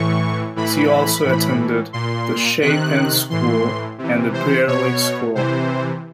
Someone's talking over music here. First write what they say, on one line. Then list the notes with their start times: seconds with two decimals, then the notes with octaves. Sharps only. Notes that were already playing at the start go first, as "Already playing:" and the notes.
She also attended The Chapin School and The Brearley School.
Already playing: A2 E3 C#6
0.56 A2 E3 B5
1.24 A2 E3
1.93 A#2 C6
2.61 C3 D#3 F#6
3.30 A2 E3 C6
3.98 C3
4.03 E3
4.33 C5
4.67 B2 C#5
5.35 C3 E3 C5